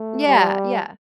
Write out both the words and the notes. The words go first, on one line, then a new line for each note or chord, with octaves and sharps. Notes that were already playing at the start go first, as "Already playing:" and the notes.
Yeah, yeah.
Already playing: A3
G3